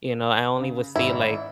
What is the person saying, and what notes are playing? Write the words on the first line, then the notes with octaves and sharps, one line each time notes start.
you know, I only would see, like,
C#3
G#1 G#2 E4